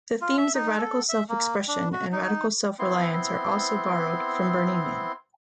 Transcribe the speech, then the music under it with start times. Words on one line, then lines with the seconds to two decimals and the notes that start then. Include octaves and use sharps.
The themes of radical self-expression and radical self-reliance are also borrowed from Burning Man.
0.22 F4
0.38 E5
0.55 D#4
0.77 A4
1.09 E5
1.29 A#3
1.68 D4
1.93 F#4
2.12 D#4
2.79 B3 C4 E4 C6